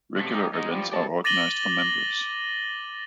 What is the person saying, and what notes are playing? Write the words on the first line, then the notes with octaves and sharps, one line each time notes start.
Regular events are organised for members.
C3 A3
D#4 G4
G#3 D#4
F3 G3
G4 A5
D6 A6 A#6 D#7 F#7 G7